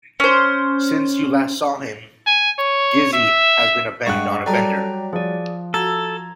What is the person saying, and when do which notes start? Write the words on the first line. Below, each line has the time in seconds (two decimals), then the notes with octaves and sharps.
Since you last saw him, Gussie has been on a bender.
0.20 C#4 C5
2.27 G#5
2.59 C#5
3.13 E5
4.06 G2 G#3 C4 F#5 C#6 F#6
4.46 F#3 G3 A4 D5 G5 A#5
5.13 F3 G#4 D5
5.74 F#4 A4 A#5 G#6